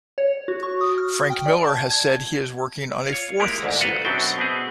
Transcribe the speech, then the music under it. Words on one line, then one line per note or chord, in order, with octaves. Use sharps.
Frank Miller has said he is working on a fourth series.
C#5
F#4
C#6
D#6
F6
G5
D5
A5
G#6
F4 C#5
G#3 A#3 E4 G4 A#4
D2 G#2
F#4 A4 B4 F5
F#2 B2 F#3 C4 D4 G5
B2 B3 C4 G#4